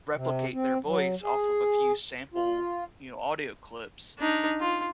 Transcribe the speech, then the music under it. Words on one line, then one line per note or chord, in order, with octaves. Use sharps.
replicate their voice off of a few sample, you know, audio clips,
C3
C4
F#3
G#4
F4
D4 D#4
F4